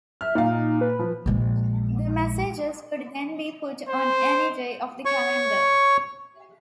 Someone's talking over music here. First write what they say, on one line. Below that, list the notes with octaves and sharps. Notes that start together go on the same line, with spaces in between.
These messages could then be put on any day of the calendar.
E5 F6
A#2 D#4 F5
B4
F3
A#1 G#3
C5
C#5 C#6